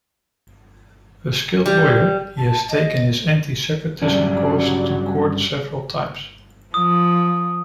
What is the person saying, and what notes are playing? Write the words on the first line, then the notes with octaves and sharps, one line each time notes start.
A skilled lawyer, he has taken his anti-separatism cause to court several times.
G3
A5
D#5
G2 C#3 F#3 G3 C#4 D5
F3 D#6